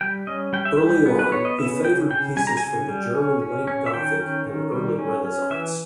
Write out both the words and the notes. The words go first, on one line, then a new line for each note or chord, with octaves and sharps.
Early on, he favored pieces from the German late Gothic and early Renaissance.
G3 G5
C#4 D#5
G3 G5
E5
G3 G5
B3
B4
B3 C#5
D#5
C#3 E5
C#3 G5
C#3 G5
G3 G#5
A#5
G#5
C#3
G3
C#4
C#4
C#4
E5
D#3 G5
C#4
D#3
G3
C#4
C#4
E3 E5